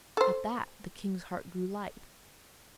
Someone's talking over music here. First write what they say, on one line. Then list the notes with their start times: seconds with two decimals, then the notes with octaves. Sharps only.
At that the king's heart grew light.
0.17 A4 C5